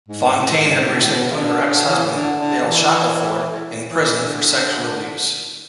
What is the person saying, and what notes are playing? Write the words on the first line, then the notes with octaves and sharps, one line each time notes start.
Fontaine had recently put her ex-husband Dale Shackleford in prison for sexual abuse.
G#2
G#2
A2
G#2
A2
B2
A2
B2
C#3
D3
D3
D3
E3
D3
D3
E3
E3
D3